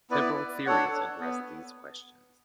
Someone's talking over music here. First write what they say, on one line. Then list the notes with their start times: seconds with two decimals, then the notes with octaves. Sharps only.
Several theories address these questions.
0.10 B3 E4 B4 D5
0.66 D4 A4 C#5 F#5
1.20 B3